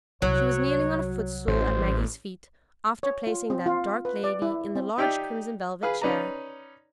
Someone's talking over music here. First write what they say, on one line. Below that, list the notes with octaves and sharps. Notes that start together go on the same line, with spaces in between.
She was kneeling on a footstool at Maggie's feet, after placing that dark lady in the large crimson-velvet chair.
C2 F#3 C#5
A1 C5
C#5
F4
C4
F4
B4
D5
E4
C4
D#4 G4 D5 E5 G5
G#4 B4 F5
C#4 D#4 B4 D5 A#5